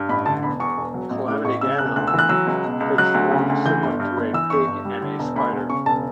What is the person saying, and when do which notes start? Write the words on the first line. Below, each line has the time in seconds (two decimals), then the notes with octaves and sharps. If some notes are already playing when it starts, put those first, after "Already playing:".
Calamity Ganon takes forms similar to a pig and a spider.
Already playing: G2
0.09 A1 B5
0.26 D3 A5
0.43 E1 B5
0.60 E2 C#6
0.77 E1
0.94 F#3
1.10 A1
1.28 A2 D6
1.45 A1 C#6
1.61 C#3 E6
1.79 E1 F#6
1.96 D2 F#6
2.08 E6
2.14 E3
2.19 F#6
2.29 F#3 E6
2.47 C#2
2.65 B2
2.80 C#2
2.98 F#3 F#6
3.14 D2
3.31 C#3
3.49 D2
3.66 E3 G6
3.83 G1
4.00 G2
4.17 G1
4.33 E3 E6
4.50 G1 C#6
4.68 G2
4.85 G3
5.01 D3
5.19 E1
5.36 D2 B5
5.52 E1
5.69 C#3 C#6
5.86 E1 A5